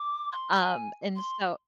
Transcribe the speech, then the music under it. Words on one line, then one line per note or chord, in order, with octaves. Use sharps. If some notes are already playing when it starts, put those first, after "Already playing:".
um, and so
Already playing: D6
C6
G#5
C6